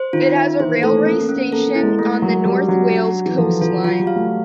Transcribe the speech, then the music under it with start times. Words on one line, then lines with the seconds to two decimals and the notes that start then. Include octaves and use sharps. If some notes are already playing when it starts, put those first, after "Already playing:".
It has a railway station on the North Wales Coast Line.
Already playing: C5
0.13 D#3 F4
0.36 E5
0.60 E3 C5
0.77 A#3
0.83 A3 A4
1.06 A#3 C#4
1.21 A#3
1.29 C#4
1.36 B3
1.52 A#3 A4
1.76 E4
1.83 G#3
1.99 G#3 A3
2.22 F#3 A#4
2.45 G3 F#4
2.68 F#3 C#4
2.92 D4
3.15 D4
3.26 E3
3.38 F3 A4
3.62 F3 F4
3.84 F#3 F4
3.99 G3
4.07 F5
4.16 A3